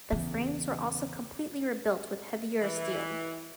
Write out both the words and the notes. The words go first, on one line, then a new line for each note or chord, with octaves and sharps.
The frames were also completely rebuilt with heavier steel.
E2 C#3
E3